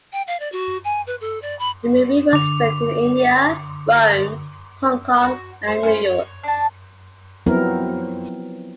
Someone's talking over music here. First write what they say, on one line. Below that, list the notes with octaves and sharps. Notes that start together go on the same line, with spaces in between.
The movie was filmed in India, Rome, Hong Kong, and New York.
G5
F5
D5
F#4
G#5
B4
A4
D5
B5
D3 D6 F7
F#4
C5
C#4 E4 A#4 C5
C#5
D4 A5
F3 F#3 B3 C4 E4 A#4